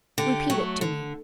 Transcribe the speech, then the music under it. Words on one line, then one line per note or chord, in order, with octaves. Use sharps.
"Repeat it to me."
D3 G4
F#3 A3
D3